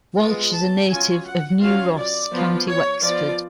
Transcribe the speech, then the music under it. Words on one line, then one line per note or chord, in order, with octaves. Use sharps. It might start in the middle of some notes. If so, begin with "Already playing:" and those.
Walsh is a native of New Ross, County Wexford.
G#3 B3 F4
A5
F#3 C#4 F4 G#5
F#5
F#3 C#4 F4 F5
D5
F3 B3 F4
C#5
F3 B3 F4 D5